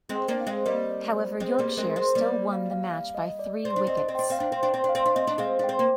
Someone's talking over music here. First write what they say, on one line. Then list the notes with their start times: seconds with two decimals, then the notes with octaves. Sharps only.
However, Yorkshire still won the match by three wickets.
0.09 G#3 C4
0.15 G5
0.28 A#3 D4
0.41 F5
0.47 G#3 C4
0.66 G3 A#3 D#5
0.91 D5
1.16 C5
1.40 G#3 C4 G#4
1.59 G3 A#3
1.72 C5
1.77 G#3 C4 A#4
1.96 G#3 C4
2.15 G3 A#3 D5
2.33 D5
2.53 F5
2.71 F5
2.90 F5
3.15 D#5
3.39 D5
3.64 C4 D5
3.76 D4
3.87 C4 D#5
3.97 D4
4.08 C4
4.15 D4 G5
4.30 C4 F5
4.39 D4 G5
4.52 C4
4.63 D4 G5
4.74 C4
4.84 D4
4.89 F5
4.95 C4
5.06 D4
5.15 C4 D#5
5.27 D4
5.38 G#3 C4 F5
5.59 D4
5.64 G5
5.69 C4
5.79 A#3